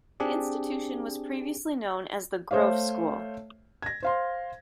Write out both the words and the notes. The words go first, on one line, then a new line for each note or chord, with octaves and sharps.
The institution was previously known as the Grove School.
C4 D4 G4 G#4
A3 C5 C#5 E5 F5
G#6 A#6
C5 F5 C6